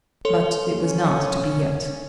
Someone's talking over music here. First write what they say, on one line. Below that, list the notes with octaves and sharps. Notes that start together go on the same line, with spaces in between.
But it was not to be yet.
A4 C#5 C6
C#4